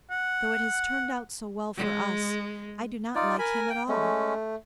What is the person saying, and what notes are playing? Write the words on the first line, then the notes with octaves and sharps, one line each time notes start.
Though it has turned out so well for us, I do not like him at all.
F#5
G#3
D#4 F4 D5
A#4 G#5 B5
G5
G#3 A3 C#4